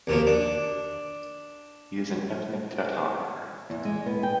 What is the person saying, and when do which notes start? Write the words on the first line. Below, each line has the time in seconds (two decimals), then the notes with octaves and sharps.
He is an ethnic Tatar.
0.07 D#2 A#2 F3
0.27 D4
3.70 E2
3.85 G#3
4.06 B3
4.23 G5